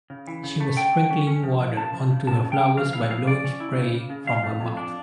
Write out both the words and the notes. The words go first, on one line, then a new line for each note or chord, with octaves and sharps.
She was sprinkling water onto her flowers by blowing spray from her mouth.
C#3
E3
C#3
A3
D3 G5
D3
C#4
C#4
F3
F3
C#3 A5
F3
C#3
C#3 A5
C#3
G5
C#4
F3 F5
E4 F5
F3 F5
F3 D5
C#4
E4
C#3
C#3
C#3
F2 F5
A3
F2
D4